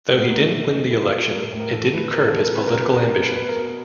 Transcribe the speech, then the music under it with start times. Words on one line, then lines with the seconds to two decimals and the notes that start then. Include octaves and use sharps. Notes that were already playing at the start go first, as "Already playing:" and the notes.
Though he didn't win the election, it didn't curb his political ambitions.
0.09 A#2 G#3
0.20 B3
0.29 A#2 A#3
0.39 A3
0.50 B2 A3
0.71 B2 D#4
0.91 B2 E4
1.04 F4
1.11 B2
1.18 A4
1.31 A2 A#4
1.53 A2
1.59 A#4
1.73 E3 A4
1.92 A2 B4
2.13 C3 A#4
2.27 A4
2.33 E3
2.40 A#4
2.54 C3 B4
2.68 A#4
2.74 C3
2.81 B4
2.94 B2 A#4
3.09 A#4
3.16 B2
3.22 B4
3.35 B2 B4
3.49 A#4
3.56 B2